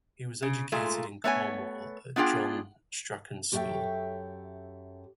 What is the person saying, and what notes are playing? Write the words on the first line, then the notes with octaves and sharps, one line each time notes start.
He was educated in Cornwall at John Strachan's school.
C#3
A#2 G#3 A3 F4
A3 B3 C#5 G#5
B3 D4 F4 G#4 G5
F#2 G4 A4 C#5 E5 G5